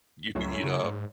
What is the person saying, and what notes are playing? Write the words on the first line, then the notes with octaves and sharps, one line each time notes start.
you can heat up.
C#2 F#2 A2
C#3
G#2